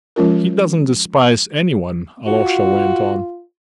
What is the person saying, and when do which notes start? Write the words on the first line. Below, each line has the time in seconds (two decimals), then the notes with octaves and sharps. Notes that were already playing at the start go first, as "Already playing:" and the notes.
"He doesn't despise any one," Alyosha went on.
0.16 F3 G#3 C#4 F4 A#4
2.27 F4 F#4